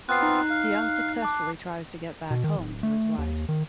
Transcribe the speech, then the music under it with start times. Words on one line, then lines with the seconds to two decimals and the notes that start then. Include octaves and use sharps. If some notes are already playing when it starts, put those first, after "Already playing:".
He unsuccessfully tries to get back home to his wife.
0.09 B3 C4 F4 F#6 C7
0.22 D#4
0.50 F5
1.22 A5 D6
2.31 B2
2.44 D#3
2.57 D1
2.83 A3
3.18 D#2
3.49 D#3